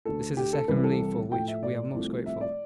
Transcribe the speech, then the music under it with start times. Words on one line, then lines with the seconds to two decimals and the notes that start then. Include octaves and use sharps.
This is a second relief for which we are most grateful.
0.05 D2 D3 A3 A4
0.37 G4
0.53 A4
0.68 C2 C3 E3 G3 B4
0.84 A4
1.31 A2 F3 A3 G5
1.48 E5
1.63 D5
1.94 C2 C3 F3 A3
2.26 E5
2.41 D5